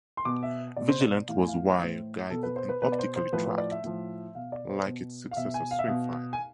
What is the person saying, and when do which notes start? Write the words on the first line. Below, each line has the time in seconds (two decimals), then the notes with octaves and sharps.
Vigilant was wire-guided and optically tracked, like its successor Swingfire.
0.17 C6
0.25 B2 D6
0.43 E5
0.76 B2 D5
0.89 C5
1.00 D5
1.28 A2 E3 F5
1.39 G#5
1.48 F5
1.79 A2 E3 C5
2.30 B2 A4
2.43 B4
2.56 C5
2.69 B4
2.82 B2 B4
2.92 D5
2.99 C5
3.16 C5
3.33 A2 F3 B4
3.46 B4
3.58 D5
3.71 E5
3.84 A2 F3
4.35 B2 F5
4.52 D5
4.69 C5
4.86 B2
5.31 F5
5.37 B2 E5
5.54 G#5
5.71 F5
5.79 E5
5.87 B2 F5
6.33 G#5